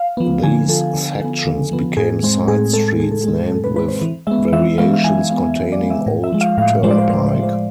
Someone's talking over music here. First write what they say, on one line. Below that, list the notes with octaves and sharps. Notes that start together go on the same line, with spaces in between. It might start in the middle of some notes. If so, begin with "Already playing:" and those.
These sections became side streets named with variations containing Old Turnpike.
Already playing: F5
F3 B3
D3 G#5
F3 B3 A4
D3
F3 B3
D3
F3 B3
A2 G#4
G#3 C4
A2 G#4
G#3 C4 A4
A2 G#4
A4
G#3 C4 G#4
A2 A4
B4
G#3 C4 B4
C5
E3
G#3 B3 E5
E3 E5
G#3 B3 F5
F5
E3 G#5
G#3 B3 F5
E3
D5
G#3 B3
E5
A2
E5
F3 G#3
F5
A2 F5
F3 G#3 C5
D5
C5
A2 C5
C5
F3 G#3
C5